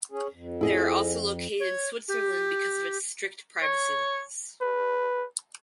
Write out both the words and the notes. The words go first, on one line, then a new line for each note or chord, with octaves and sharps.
They are also located in Switzerland because of its strict privacy laws.
C#4 G#4
F2
E4 G#4 D#5
C#5
G4
C#5
B4